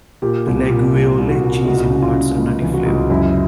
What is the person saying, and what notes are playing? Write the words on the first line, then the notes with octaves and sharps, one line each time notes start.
The Laguiole cheese imparts a nutty flavour.
A#2 G4
C2
G4
A#2
C2
C2
F#4
A#2
C#2 F#4
C#3
F4
C#3
C#2
E3
F#4
C#2
F#2 E4